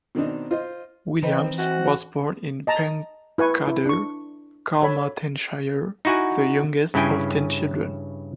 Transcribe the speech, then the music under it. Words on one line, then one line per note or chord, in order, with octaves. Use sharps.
Williams was born in Pencader, Carmarthenshire, the youngest of ten children.
B2 D#3 C4 D4 D#4
F4 C5 D#5
E3 C4 D#4 B4
F#4
D#5 A5 A#5
E4 B4 G#5 C#6
E4
D4 C#6
A4 C#5 B5
D#4 E4 F#4 F#5 G#5
G2 C#3 C#4 E4 G5 G#5